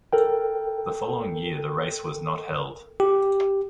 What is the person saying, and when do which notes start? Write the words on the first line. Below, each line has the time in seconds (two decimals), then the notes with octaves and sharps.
The following year the race was not held.
0.13 A4 A#4 G5
3.00 G4